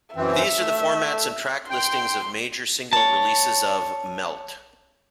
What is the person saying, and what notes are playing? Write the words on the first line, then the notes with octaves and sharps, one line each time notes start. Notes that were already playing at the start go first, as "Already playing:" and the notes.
These are the formats and track listings of major single releases of "Melt".
F#2 E3 C4 E5
A3
G5 C6
C#5 A5